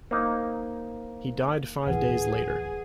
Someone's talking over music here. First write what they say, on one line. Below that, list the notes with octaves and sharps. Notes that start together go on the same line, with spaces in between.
He died five days later.
A#3 D#4 C5 F5 A#5
D1 E3 G#4 B4 F#5